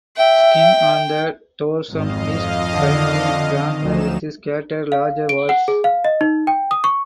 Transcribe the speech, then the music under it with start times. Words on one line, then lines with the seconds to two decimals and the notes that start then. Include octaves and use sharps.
Skin on the dorsum is finely granular with scattered larger warts.
0.17 E5 G5
1.90 G#1 F2 D#5 F5
2.74 D3
3.81 D2 F3 F#3 D#4 E7
4.92 F5
5.29 D7
5.49 F#5
5.68 G#4
5.84 F5
6.05 D#5
6.21 D#4
6.47 G5
6.71 D#6
6.84 C#6